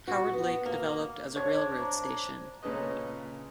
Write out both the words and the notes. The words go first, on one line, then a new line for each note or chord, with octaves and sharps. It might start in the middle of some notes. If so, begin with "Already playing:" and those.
Howard Lake developed as a railroad station.
F#4
B3
A#3
D4 C5 C#5 G#6
A#5
A#2 C#3 C#4 A4 B4 D#5